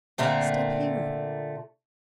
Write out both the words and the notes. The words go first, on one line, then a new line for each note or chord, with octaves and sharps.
Step here!
A#2 D3 A3 C4